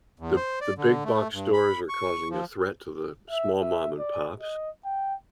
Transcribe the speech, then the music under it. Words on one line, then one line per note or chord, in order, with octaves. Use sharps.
The the big box stores are causing a threat to the small mom-and-pops,
E2
C5
D5
D3
A3
G2
B5
C#6
F3
E5
E5
D5
D#5
G5